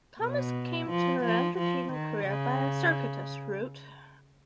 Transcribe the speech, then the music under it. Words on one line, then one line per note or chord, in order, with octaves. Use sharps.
Thomas came to her entertainment career by a circuitous route.
B2
F3
F3
F3
D#3
C#3